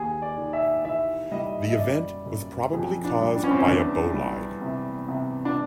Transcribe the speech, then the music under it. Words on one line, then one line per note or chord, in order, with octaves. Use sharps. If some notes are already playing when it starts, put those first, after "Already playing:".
The event was probably caused by a bolide.
Already playing: D#2 G#4
D5
D#3
E5
E3 E5
G3 D#5
E5
D#5
F#2 D5
F#2
F2 G#4
D4
G3
D4
C#4
C4
C#4
E2 D4
G3
C3
C3
D4